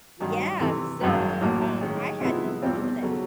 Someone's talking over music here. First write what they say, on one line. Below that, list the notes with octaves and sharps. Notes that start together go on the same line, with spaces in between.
Yeah, so, um, I had no clue that,
G2 D#3 F#3
C3 E3 A3
G#1 F#2 D#3 F#3
A1 A2 F#3 A#3
D#3 G#3 C#4
C3 F3 G#3 B3 E4
E2 B2 G3 C4 F4
C#3 F#3 A3 C#4